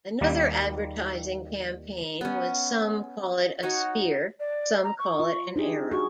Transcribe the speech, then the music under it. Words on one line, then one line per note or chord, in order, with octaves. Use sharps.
Another advertising campaign was some call it a spear, some call it an arrow.
D#2 D#3 G3 A#3
B3 C#4
D#4 F#4 C#5
D5
A#5
C#6
F4
D4 D#4 G4 G#4
F#4 G#4 C#6